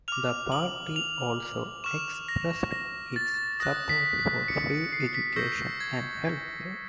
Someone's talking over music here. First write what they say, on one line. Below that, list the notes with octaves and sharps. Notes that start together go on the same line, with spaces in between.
The Party also expressed its support for free education and health care.
D6 F6 F7
F#7
F7
C#6 F6 E7
A#6
A#6
A6
D#6 F#6 A#6
B6
B6
C#7
C#7
C7
B6
C#6 E6 G6 A#6
G#6